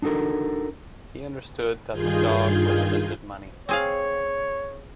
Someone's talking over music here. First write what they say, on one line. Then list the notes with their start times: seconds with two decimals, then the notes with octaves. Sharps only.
He understood that the dog represented money.
0.02 D4 D#4 F#4 A4 A#4
1.92 G2 D#3 F4 G#4 G6 G#6
3.69 C4 G#4 C#5 F5